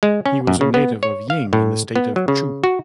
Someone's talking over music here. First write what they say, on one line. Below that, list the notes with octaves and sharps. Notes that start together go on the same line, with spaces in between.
He was a native of Ying in the State of Chu.
G#3
C#4
F#2
C#3
B3
C#5
F5
A2
B3
F#3
C#3
F#4